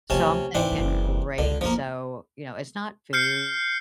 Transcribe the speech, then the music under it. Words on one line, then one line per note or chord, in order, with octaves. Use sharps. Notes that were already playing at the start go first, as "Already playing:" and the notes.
So I'm thinking great, so, you know, it's not food,
D2 C3 F3 C#4 A5
G#2 E3 C4 D4
F#1 E4
C#2 D3
G1 F2 F3 A#3
F6 G6 C7 C#7